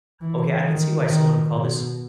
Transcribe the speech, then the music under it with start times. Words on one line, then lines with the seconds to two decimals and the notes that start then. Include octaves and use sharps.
"Okay, I could see why someone would call this
0.21 E3
0.66 D#3
1.09 D#3
1.54 B2